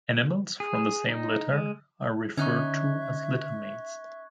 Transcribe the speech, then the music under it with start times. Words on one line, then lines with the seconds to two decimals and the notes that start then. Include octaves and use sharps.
Animals from the same litter are referred to as litter-mates.
0.60 G#4
1.09 D#4
1.52 G#3
2.37 D3 C#4 D#4 E5 C#6 F#6 G#6